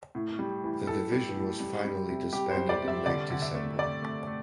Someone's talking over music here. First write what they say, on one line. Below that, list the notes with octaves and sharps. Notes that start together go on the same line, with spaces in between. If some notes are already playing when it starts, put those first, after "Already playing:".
The division was finally disbanded in late December.
A2
G3
E3
A2 A4
G3
E3
G3
G3
C3
G3 G4
C5
G3
D5
C3
E5
D3 D5
D3
E5
A3
A3 D5
A3
A3